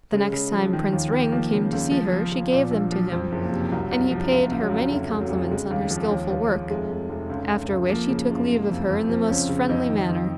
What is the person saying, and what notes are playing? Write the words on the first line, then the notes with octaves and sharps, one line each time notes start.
The next time Prince Ring came to see her she gave them to him, and he paid her many compliments on her skilful work, after which he took leave of her in the most friendly manner.
C#3 G#3
C#3
F3
D#3
D#2
D#3
F3 A#3
C#3
C#2
F3
F3
F3
A#2
A#1
F3
F2 C4
F#1
A#3
C3
C2 F#3
C2
F3
C#2 F3
C#2
F#3
C#2
F1 F#3
F1
F#3
F1
C#3 G#3
D#2
F3
D#2
D#2
F3
F1 G#3
F1
F1
C#2
C#2
C#2
F3 A#3
C#3
F#1
C3
F2
F2
F3 C4
C#2 C#4
C#3
F2 D#4
D#3
F2